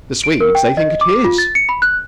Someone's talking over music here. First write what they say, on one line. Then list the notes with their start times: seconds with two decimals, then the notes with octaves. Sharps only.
The Swedes, they think it his.
0.24 D7
0.41 A#4
0.55 G5
0.77 D#5
1.01 D6
1.25 F4
1.38 A6
1.55 C#7
1.69 B5
1.82 F#6